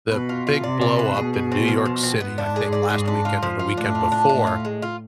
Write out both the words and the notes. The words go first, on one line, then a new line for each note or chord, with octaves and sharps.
the big blow up in New York City, I think last weekend or the weekend before,
B2 B4
F4
F4
C3 D5
D5
B4
B2 G#4
G#4
C4
F3
F3
C4
G#2 B3
D4
G#4
D5
G#4
D4
F4
F3
F4
A2 D4
F4
D4
A2 D4
F4
G#3
F4